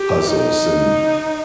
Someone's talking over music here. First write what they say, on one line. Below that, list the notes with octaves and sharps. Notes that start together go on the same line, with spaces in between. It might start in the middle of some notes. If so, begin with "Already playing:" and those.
puzzles and
Already playing: G4
D#4